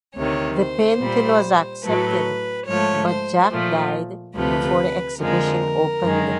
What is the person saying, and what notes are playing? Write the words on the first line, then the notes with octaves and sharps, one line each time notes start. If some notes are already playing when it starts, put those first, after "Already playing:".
The painting was accepted but Jack died before the exhibition opened.
D2 C3 D#3 C#5
C5
A#2 G3
A2 F#3 A3 B4
G#2 F3 A3 C#5
C5
A#2 F3 A3
D2 C3 F3 A3 B4
F2 D3 F3 G#3 A#4
F#2 D#3 G#3